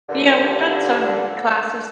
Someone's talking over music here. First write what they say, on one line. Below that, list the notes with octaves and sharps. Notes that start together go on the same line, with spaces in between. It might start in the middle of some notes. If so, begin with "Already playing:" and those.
Yeah, we've done some classes
G2 A#2 D3